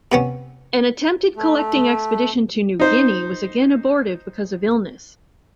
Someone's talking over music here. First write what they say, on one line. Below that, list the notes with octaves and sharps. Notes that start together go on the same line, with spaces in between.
An attempted collecting expedition to New Guinea was again abortive because of illness.
C3 B3 C#4
A3
D#4 C5